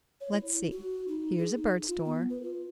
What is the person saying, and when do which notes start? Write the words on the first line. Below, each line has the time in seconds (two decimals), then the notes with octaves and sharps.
Let's see--here's a bird store.
0.21 C#5
0.33 E4
0.72 F#4
1.08 D#4
1.38 G#4
1.57 D#4
1.88 F4
2.05 B3
2.30 B4
2.43 F4